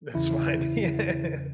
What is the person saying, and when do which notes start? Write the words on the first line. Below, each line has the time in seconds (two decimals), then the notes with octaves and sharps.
That's fine. Yeah.
0.14 E2 C#3 E3 E4